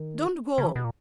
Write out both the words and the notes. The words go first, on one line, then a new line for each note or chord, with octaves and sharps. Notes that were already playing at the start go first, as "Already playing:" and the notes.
Don't go!
Already playing: D#3
C#3
E3
B2
A#2